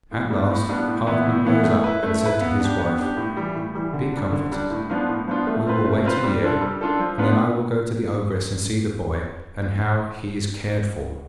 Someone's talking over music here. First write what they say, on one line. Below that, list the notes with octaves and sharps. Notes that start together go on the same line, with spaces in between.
At last Halfman rose up and said to his wife, 'Be comforted; we will wait a year, and then I will go to the ogress and see the boy, and how he is cared for.'
A2
G3 B3 D4
A2
G3 B3 D4
A2
E3 B3 E4
A2
E3 B3 E4
A3
E4 B4
A3
E4 B4
B3
D4 G4
B3
D4 G4
A2
E3 G3
A2
E3 G3
D3
G3 D4
D3
G3 D4
A2
F3 B3 D4 F4
A2
F3 B3 D4 F4
A3
C4 F4 B4
A3
C4 F4 B4
G3
D4 F4 A4
G3
D4 F4 A4
F3
B3 D4 F4 B4